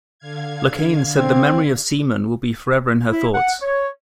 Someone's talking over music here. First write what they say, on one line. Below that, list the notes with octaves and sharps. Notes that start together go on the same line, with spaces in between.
Locane said the memory of Seeman will be forever in her thoughts.
D3 F5 G#6
C4
E4
F#5
C#5